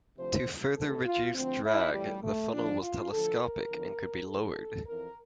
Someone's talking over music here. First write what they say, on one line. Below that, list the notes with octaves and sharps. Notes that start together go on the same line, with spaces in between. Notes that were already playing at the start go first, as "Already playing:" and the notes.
To further reduce drag, the funnel was telescopic and could be lowered.
D2 C3 F3 C5
D2 C3 E3 A4
F4
D2 D3 F3 C4
E4
A2 E3 G3
A3
E2 D3 F3 D4
F4
D2 D3 F3 A4
A#4
E2 D3 F3
A2 F3 A4
F2 E3 A#4